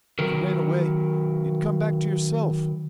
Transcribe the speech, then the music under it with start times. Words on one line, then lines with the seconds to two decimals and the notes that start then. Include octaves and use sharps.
If you ran away, you'd come back to yourself.
0.19 D#3 F#3 A#4